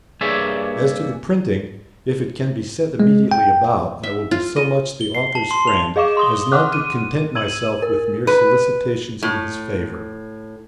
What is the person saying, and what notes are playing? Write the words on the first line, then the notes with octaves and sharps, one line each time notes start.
As to the printing, if it can be set immediately about, I will be so much the authour's friend, as not to content myself with mere solicitations in his favour.
G2 A#3 G#4 C#5 D5 E5
G#3
G5
E5
F4
D#5
G7
C7
A5
C6
F7
G#4 D#5 F5 C#6 D6 E7
C6 D#6 G7
F#5 C6 D6 F6 F#6
D#7
E6 G#6 D#7 F#7
A#4
B4
A2